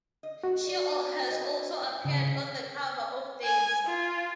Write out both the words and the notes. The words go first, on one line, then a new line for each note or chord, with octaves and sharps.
She has also appeared on the cover of "Dazed".
D#5
F#4
D5
E4 C5 D#5
C#3
G#5
F4